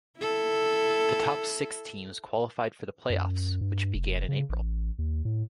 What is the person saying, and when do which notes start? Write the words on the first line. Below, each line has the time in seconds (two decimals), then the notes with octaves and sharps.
The top six teams qualified for the playoffs, which began in April.
0.18 E4 A4
3.10 F#2
3.61 G2
3.94 F1
4.28 C#3
4.49 A1
4.99 D#2
5.25 A2